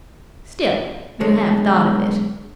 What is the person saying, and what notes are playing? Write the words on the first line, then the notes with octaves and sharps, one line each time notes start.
"Still, you have thought of it?"
B1 D3 G#3 C#5